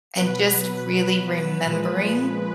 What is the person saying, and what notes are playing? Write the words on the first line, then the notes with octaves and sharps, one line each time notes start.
and just really remembering
B2 F#3 B4
A#2 F3 G#3